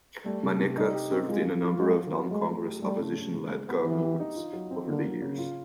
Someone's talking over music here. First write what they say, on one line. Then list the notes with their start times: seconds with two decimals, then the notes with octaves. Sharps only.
Maneka served in a number of non-Congress opposition-led governments over the years.
0.25 G3 A3
0.43 C3
0.59 C3
0.77 G3 D#4
0.94 G4
1.11 C4
1.28 G#3 F4
1.45 F3
1.63 F4
1.79 F#3 G#3
1.96 F#3
2.13 F#3
2.31 G#3 A3
2.48 A3
2.66 G4
2.82 G3 A3
2.99 C#3
3.17 C#3
3.34 G#3
3.50 G#3
3.68 B3
3.86 E3 G4
4.03 G4
4.20 D#4
4.36 F4
4.53 F#3
4.71 C4
4.88 D3 A#3
5.04 F#3
5.22 C#3
5.38 F4